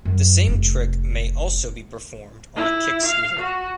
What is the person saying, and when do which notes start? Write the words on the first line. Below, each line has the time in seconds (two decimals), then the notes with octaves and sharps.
The same trick may also be performed on a kick scooter.
0.05 F#2
0.47 F1
2.56 E4
3.06 F5
3.39 F#4